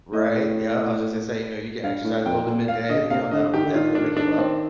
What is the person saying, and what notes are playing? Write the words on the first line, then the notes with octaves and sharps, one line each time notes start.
Right, yeah, I was just gonna say, you know, you get exercise a little bit midday, you know, that'll definitely wake you up.
A2 D#5
G2 F5
A2
F2 G5
A#2
F5
D3 D#5
C3 F5
D3 D#5
D#3 G4
D3
D#3 F4
D4
D4
C4